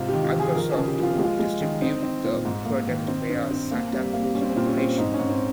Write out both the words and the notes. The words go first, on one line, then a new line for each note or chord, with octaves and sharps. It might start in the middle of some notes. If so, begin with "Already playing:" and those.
Microsoft would distribute the product via Santa Cruz Operation.
Already playing: G#2 C3 F4
D#3 G4
F4
D#3
G#4
F3 A#4
C#3 G#4
G4
F3 F4
G4
G#3
F4
G#3
D#3
C4 D#4
C4
A#2
G#2
A#3
D#3
C4
G2
C4
A#3
G3
A#3
G3 C#4
C4
A#2 C4
C#4
C4
G#2 D#4
C#4
G#2
C4